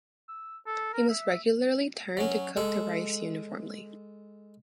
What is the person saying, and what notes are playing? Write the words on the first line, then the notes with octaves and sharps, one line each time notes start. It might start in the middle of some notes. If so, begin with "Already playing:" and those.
He must regularly turned to cook the rice uniformly.
E6
A4
A#4
E5
F#3 C#4
G#3 A4